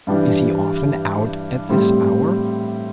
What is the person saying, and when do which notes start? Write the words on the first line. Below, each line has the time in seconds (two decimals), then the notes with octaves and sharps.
"Is he often out at this hour?"
0.07 G2 E3 G3 D4 G4
1.69 A2 G3 C4 G4